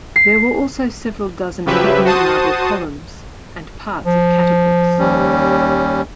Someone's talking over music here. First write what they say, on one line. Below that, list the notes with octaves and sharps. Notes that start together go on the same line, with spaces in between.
There were also several dozen heavy marble columns and parts of catapults.
C7
C#3 F3 F#3 G4 B4 E5
F#4 C5 A5 D#6
F3
D#2 G3 C#4